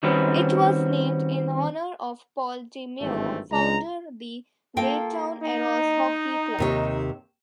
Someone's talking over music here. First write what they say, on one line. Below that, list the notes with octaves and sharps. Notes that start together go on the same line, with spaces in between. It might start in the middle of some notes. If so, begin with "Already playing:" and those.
It was named in honour of Paul Deneau, founder the Dayton Aeros hockey club.
D#3 G3 C4 C#4 F#4 B4
G#1 G2 E3 A3 C4
C#2 G#3 A#5
A#3 F4 A4 F5 G5
D#4
D#2 C3 C#5